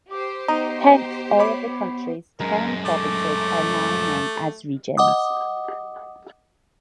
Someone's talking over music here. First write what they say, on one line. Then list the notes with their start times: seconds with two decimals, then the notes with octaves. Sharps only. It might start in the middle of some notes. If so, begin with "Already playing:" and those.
Hence, all of the country's ten provinces are now known as regions.
0.11 G4 C5 D6
0.48 B3 D#4 A#5
1.39 C#5 B5 D6
2.40 F#2 G#3 A#4
2.86 A3 D6
4.97 D#5 F#5 D6 D#6